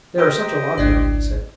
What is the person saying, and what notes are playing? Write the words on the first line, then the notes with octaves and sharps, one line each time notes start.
"There are such a lot of them," he said.
G4 A#4 C5 D#5 G5 G6
G#1 C#2 D4 E4 D5